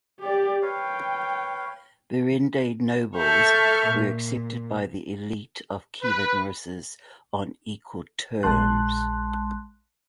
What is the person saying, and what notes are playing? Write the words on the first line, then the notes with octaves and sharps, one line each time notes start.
Berendei nobles were accepted by the elite of Kievan Rus' on equal terms.
G4 D5
B4 C#5 F5 G5
A4 E5 A5 C#6 F6 G6
A#2
B4
A#1 G#3 A5 C6 F#6